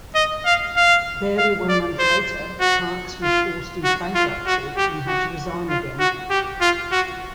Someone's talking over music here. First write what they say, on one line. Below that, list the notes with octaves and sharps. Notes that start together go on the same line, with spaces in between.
Barely one month later Parkes was forced into bankruptcy and had to resign again.
D#5
F5
F5
F5
D5
C5
F#4
F4
F#4
F4
F#4
G4
F#4
F4
F#4
G4
F4
F#4